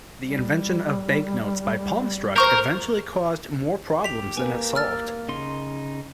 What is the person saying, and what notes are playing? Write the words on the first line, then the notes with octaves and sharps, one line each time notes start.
The invention of banknotes by Palmstruch eventually caused more problems than it solved.
G3
A#4 C5 C#6 G6
G4 B6 F7
A#3 B4 G#5
E6 F6 A6
C#3 D#4 C6